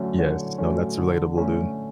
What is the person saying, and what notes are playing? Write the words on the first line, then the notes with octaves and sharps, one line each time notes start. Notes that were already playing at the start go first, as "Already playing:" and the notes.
yes, no, that's relatable, dude.
Already playing: D3 F#3 A3 C#4
D3 C#5
F#3 A3 C#4
D3
A3 C#4